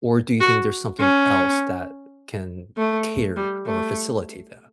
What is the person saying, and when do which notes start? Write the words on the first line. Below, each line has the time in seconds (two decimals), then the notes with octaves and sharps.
Or do you think there's something else that can cater or facilitate that?
0.40 F#4
1.00 C#4
2.77 A3
3.36 G3
3.66 A3